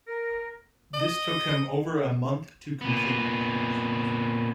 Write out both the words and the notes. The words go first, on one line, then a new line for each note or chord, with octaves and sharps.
This took him over a month to complete.
A#4
D#5
A#2 B3